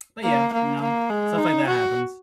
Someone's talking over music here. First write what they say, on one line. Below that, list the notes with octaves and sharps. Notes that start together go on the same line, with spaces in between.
But, yeah, you know, stuff like that happens.
A#3
A#3
A#3
G#3
D#4
F#4